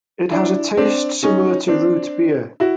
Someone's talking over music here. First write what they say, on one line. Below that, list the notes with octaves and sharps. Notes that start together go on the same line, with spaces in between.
It has a taste similar to root beer.
D4 E4
C4 D4
C#4 D#4
C4 D4
E4 F#4